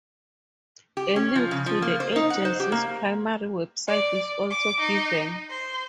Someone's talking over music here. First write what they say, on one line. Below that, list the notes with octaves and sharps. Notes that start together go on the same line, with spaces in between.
A link to the Agency's primary website is also given.
G4
C#4
F3
C#3
F3
A#3
C5
D#4
F#5
C5
G4
A#3
D5
D6
D#4
C5